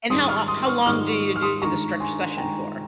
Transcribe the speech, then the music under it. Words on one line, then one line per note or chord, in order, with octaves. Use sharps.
And how o how long do you do the stretch session for?
G#2 D#3 G3 C6 D#6
D#6
C#6 F6
C6 D#6
C#6 F6
G#2 D#3 G3 C#6 F6
F6
C6 D#6
G2 D#3 G#3 A#5 C#6
G#5 C6
G2 D#3 G#3 G5 A#5